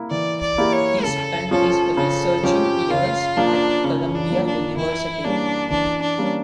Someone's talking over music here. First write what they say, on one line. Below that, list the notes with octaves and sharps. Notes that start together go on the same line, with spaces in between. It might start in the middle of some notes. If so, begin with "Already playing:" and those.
He spent his researching years at Columbia University.
Already playing: A#3 E4
E3 D5
D5
A#3 E4 G4
C#5
C#3 A4
F3 C#4 A4
C#3 A4
F3 C#4 G4
C#3 F4
F3 A#3 D4
C#3 C#4
D4
F3 A#3
D4
E3 E4
G3 A#3 C#4 D4
E3 D4
D4
G3 A#3 C#4